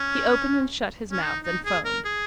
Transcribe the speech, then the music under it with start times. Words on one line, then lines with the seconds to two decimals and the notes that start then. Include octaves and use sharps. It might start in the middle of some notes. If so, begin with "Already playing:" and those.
He opened and shut his mouth and foamed.
Already playing: C#4
1.12 C#4
1.24 D#4
1.45 D#4
1.65 G#4
1.85 A#4
2.05 G#4